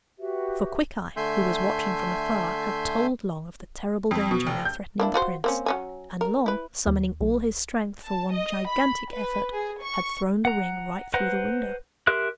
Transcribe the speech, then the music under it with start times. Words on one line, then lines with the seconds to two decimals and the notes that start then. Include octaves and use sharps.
For Quickeye, who was watching from afar, had told Long of the terrible danger now threatening the prince, and Long, summoning all his strength for one gigantic effort, had thrown the ring right through the window.
0.19 F#4 G4 B4 E5
1.17 D3 A3 E5 G#5 C6 G6
4.11 F2
4.31 B2
4.47 F1
4.65 G6
5.00 A#3 D4 E4
5.14 F4 F#4 C5
5.44 A#3 C4 C#4
5.66 F#3 C#4 G#5
6.21 A#4
6.46 E4 B4
6.87 D#2
7.21 B1
8.02 A5
8.32 D#5
8.68 B5
9.09 B4
9.52 G#4
9.81 C#6
10.45 F#5 A#5
11.14 B4 C5 F#5 A#5
12.07 G4 A#4 E5 C6 F#6